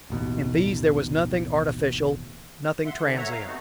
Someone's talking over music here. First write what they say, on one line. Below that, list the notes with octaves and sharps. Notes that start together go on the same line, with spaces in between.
In these there was nothing artificial, nothing transient.
A1 D#2 B2
E5 F#5 C6
G#2 D3
C#5 E5 F#5 A#5
F5 A#5
C3 A3 B3 D#4 F#4